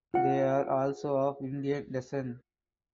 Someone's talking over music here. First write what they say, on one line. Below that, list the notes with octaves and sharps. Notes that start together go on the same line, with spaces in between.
They are also of Indian descent.
F4 F#5